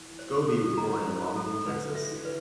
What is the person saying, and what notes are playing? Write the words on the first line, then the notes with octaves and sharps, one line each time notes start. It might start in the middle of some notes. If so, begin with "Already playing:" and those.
Scobee was born in Longview, Texas.
Already playing: E3
C5
A4
E3
D#3 A#5
C5
A4
D3 B4
E5
E3
B4